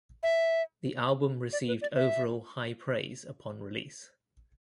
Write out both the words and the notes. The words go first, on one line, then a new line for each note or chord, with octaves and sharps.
The album received overall high praise upon release.
E5
D5
B4
D5
E5